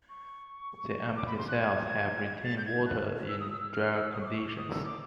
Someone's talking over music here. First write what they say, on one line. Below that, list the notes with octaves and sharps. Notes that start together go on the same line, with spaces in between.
The empty cells help retain water in drier conditions.
C#6
D6
B5
C6
F#6
G#6
A6
G6
G#6
F#6
E6
D#6
E6
E6
F6
E6
D#6
C#6
D6
C#6
D6
D#6
E6
D6